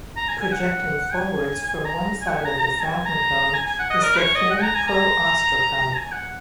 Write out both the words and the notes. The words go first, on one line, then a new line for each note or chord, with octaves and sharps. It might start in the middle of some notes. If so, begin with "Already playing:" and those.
Projecting forwards from one side of the phragmocone is the thin "pro-ostracum".
A#5
G#5
G#5
F#5
G#5
G#5
A#5
G#5
F#5
G#5
A#5
A#5
G#5
A#5
G#5
G#5
F#5
D#5
A#4
C#5
D#5
F#5
A#5
G#5
A#5
G#5
F#5